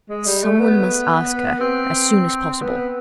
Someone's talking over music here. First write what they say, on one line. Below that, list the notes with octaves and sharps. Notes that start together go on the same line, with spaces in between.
"Someone must ask her--as soon as possible!"
G#3
G3
A3
B3
C4
B3